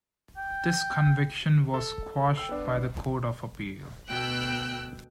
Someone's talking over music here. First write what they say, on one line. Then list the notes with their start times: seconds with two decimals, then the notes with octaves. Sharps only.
This conviction was quashed by the Court of Appeal.
0.37 G5
1.74 A4
2.36 G5 E6 C7
2.49 B3 D4
4.08 D2 B2 G5 E6 F#6